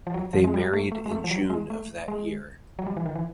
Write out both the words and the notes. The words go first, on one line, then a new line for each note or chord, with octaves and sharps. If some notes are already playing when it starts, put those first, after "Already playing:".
They married in June of that year.
F3
F#3
F3
G#3
G3
A3
A3
G#3
A3
F3
F#3
G#3
A3
G#3
F#3
G3
E3
D#3
E3